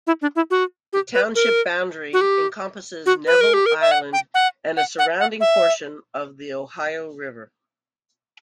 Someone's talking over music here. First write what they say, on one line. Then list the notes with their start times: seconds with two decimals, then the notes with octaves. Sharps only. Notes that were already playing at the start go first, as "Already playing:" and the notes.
The township boundary encompasses Neville Island and a surrounding portion of the Ohio River.
0.07 E4
0.22 D4
0.36 E4
0.51 F#4
0.93 G4
1.14 B4
1.35 A#4
2.13 F#4
2.21 G4
3.06 F#4
3.27 B4
3.41 A#4
3.54 G4
3.66 A#4
3.81 E5
3.91 F#5
4.13 G5
4.34 F#5
4.77 F#5
4.99 F#5
5.20 F#5
5.41 E5